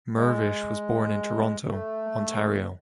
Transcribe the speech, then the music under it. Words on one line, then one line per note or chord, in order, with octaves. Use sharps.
Mirvish was born in Toronto, Ontario.
G#3
A3